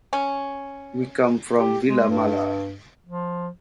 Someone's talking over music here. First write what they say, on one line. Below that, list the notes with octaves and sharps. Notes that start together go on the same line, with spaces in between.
We come from Vilamalla.
C#4
G4
G#3
G2
F3